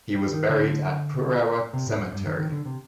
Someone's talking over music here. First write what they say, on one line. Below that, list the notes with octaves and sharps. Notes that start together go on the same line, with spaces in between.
He was buried at Purewa Cemetery.
G3
D#3
D3
C3
A2
F#2
G2
D#3
D#3
D3
C3